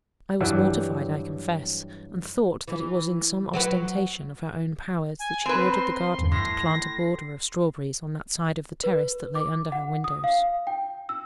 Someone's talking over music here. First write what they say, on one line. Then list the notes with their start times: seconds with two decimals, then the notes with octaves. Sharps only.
I was mortified, I confess, and thought that it was in some ostentation of her own powers that she ordered the gardener to plant a border of strawberries on that side of the terrace that lay under her windows.
0.41 G2 E3 F#3 G3
2.68 E3
3.54 F#3 F#4 B4
5.19 G#5
5.46 C4 B4
5.72 A#5 C6
6.19 E2 G2
6.32 A2 C6 A#6 C7
8.84 B4
9.35 D6
9.72 F#5
10.04 D#6
10.24 F5
10.67 G5
11.09 E6